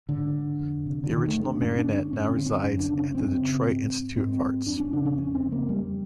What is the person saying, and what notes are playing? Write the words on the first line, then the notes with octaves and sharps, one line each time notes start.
The original marionette now resides at the Detroit Institute of Arts.
G#2 D3
F2
C3
D3
F2 D#3
A3
C3
D4
G2 C#4
D4
D3
C#4
G2 C#4
C4
D3
C#4
F#2
D4
C#3
C#4
F#2 C4
C#3
G#2
G#2 C4
F2 D4
C#4
C#3 D4
C#4
F2 C#4
C4
C#3
A#3
F2 G3